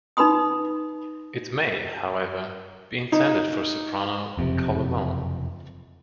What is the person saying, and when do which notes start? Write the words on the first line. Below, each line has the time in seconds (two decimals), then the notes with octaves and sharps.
It may, however, be intended for soprano chalumeau.
0.17 D#4 B4 B5 C6 D#6
3.12 D#4
4.37 F#1 F2 C3